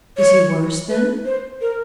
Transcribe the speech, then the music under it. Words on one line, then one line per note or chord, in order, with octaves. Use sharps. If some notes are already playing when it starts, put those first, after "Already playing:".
"Is he worse, then?"
C#5
B4
C5
A#4